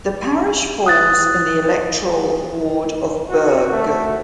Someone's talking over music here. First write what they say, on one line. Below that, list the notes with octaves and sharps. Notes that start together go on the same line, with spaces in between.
The Parish falls in the electoral ward of Burgh.
D#6 F#6 A6
F#4
A3